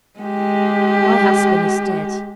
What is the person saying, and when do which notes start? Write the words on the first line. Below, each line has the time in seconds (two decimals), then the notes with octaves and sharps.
'My husband is dead.
0.20 G#3 G4